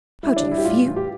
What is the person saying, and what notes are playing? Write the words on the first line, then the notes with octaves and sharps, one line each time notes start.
How do you feel?
G3 E4
D4
G3
E4
G4
A2 F4
E3
G4